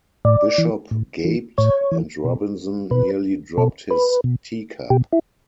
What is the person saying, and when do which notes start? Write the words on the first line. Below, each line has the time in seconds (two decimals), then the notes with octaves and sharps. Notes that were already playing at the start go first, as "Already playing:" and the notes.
Bishop gaped, and Robinson nearly dropped his teacup.
0.25 A2 D5
0.58 E3
0.91 A2
1.25 E3
1.58 A2 C#5
1.91 E3
2.24 B2
2.91 B2 B4
3.57 B2 A4
3.91 B4
4.24 B2
4.90 B2 G4
5.13 E4